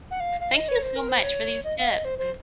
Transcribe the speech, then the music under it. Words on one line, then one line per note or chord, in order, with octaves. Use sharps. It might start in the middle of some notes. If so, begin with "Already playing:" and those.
Thank you so much for these tips and
F#5
F5
F5
D#5
C#5
C5
A#4
C5
C#5
D#5
F5
D#5
C5
C5